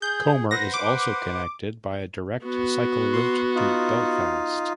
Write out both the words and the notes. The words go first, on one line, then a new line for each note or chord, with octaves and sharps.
Comber is also connected by a direct cycle route to Belfast.
G#4 G6
B4 C5 F#5 A#6
D6
B3 F#4
C6
D#4 F4